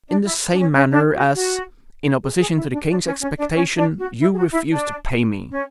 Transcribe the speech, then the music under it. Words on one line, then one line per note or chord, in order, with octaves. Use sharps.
"In the same manner, as, in opposition to the king's expectation, you refused to pay me."
D4
E4
D4
C#4
C#4
D4
F#4
F#4
G#4
G#4
E4
D4
D4
C#4
C#4
D4
C#4
D4
F#4
E4
G#4
F#4
E4
D4
C#4